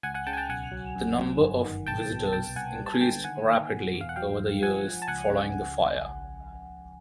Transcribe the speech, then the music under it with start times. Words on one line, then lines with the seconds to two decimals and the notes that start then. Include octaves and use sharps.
The number of visitors increased rapidly over the years following the fire.
0.03 C#2 F#5 G#5
0.14 F#5 G#5
0.27 C#3 G5 A5
0.33 G#5
0.37 G5 A5
0.49 B1 F#5 G#5
0.72 F#3
0.96 F#2
1.18 F#2
1.41 G1
1.64 D#3
1.86 B1 G5 A5
2.10 B2
2.33 C2 G5 A5
2.56 C2 F#5 G#5
2.79 G3
2.86 A5
2.94 G#5
3.01 D3 G5 A5
3.24 D#3 F#5 G#5
3.48 D#3
3.71 B2
3.94 E2
4.01 F5
4.09 F#5
4.16 F#3 F5 G5
4.40 F#2
4.62 F3 F#5 G#5
4.85 F3
5.02 A5
5.08 C#2 F#5 G#5
5.31 C#3